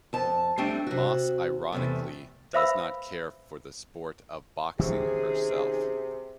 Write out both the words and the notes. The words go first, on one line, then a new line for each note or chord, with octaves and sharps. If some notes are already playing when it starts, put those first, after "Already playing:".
Moss ironically does not care for the sport of boxing herself.
F2 A5
G3 A3 C4 D4
C3 F#4
E2 C3 A3
B4 C5 E5 F5 B5 E6
C3 D#3 C#4 G#4